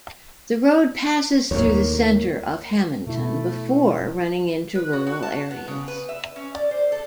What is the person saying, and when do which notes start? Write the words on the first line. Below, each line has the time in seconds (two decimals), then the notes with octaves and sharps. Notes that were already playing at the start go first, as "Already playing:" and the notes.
The road passes through the center of Hammonton before running into rural areas.
1.51 D#2 A2 A#3 C#5
3.07 B2 A3 E4
4.75 B4
4.93 F#4
5.07 F#4
5.22 A5
5.51 B3
5.68 C#3
5.88 B4
6.09 E5
6.36 C#4
6.55 D5
6.71 C5
6.92 A4